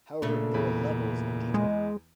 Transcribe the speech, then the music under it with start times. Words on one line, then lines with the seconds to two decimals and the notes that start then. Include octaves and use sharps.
However, there are levels of detail.
0.22 A#2 C#3 A3 D4
0.54 E2 E4 B5
1.54 G#3